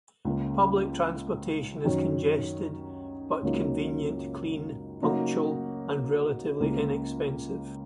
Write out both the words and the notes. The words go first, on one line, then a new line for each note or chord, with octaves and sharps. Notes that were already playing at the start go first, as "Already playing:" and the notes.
Public transportation is congested but convenient, clean, punctual, and relatively inexpensive.
C#2 C#3 A#3
F#2 D#3 F#3 C#4
C#2 C#3 F#3 A#3 D#4
C#3 F#3 A#3 D#4 F#4
C#2 C#3 A#3